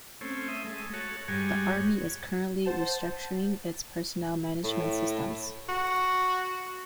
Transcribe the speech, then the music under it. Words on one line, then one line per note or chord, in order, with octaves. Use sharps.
The Army is currently restructuring its personnel management systems.
A3 C4 C#4
E5 D#6
G#3 A3
F#4 A4 C#5
G2 G3 G#3 F#4 C#5 G#5
C5 F#5 A5 A6
A2
F#4